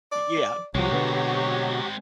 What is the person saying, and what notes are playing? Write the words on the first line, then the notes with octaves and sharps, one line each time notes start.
Y yeah.
D5
C2 F3 F#3 G#3 C4 F#4 G4 C#5
B2 D3 B3